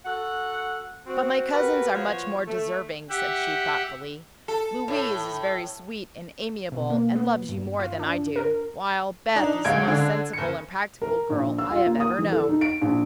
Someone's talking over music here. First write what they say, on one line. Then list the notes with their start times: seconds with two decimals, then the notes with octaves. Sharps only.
"But my cousins are much more deserving," said she, thoughtfully. "Louise is very sweet and amiable, and loves you more than I do, while Beth is the most sensible and practical girl I have ever known."
0.05 F#4 A4 F#5
1.06 C4 F#4
1.52 F#4 G4 A#4 B4
1.94 F3 B3 F4 F#4 C#5
2.46 A3
3.10 G4 E5 F#5
4.48 A4
4.88 A2
6.72 B2
6.90 A#3
7.15 B3
7.49 G2
7.80 F4
7.99 D4
8.36 A#4
9.36 D4 D#4
9.65 D2 G#3 F5 G#6 D7
9.87 D3 D4
10.33 F#1 C#7
11.02 A#4
11.30 A#1
11.58 E6
11.71 F4
11.86 A#3
12.00 D#6
12.18 E3
12.32 A4
12.49 D#4
12.61 D7
12.81 A#1